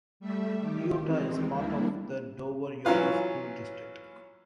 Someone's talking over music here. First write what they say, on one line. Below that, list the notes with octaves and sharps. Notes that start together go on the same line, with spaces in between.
Eyota is part of the Dover-Eyota School District.
G3 A3 E5
D#3 G4
D#3 E3 G#3 C4
G3 A#3 D4 E4
E3 F#3 C#4 F4 B4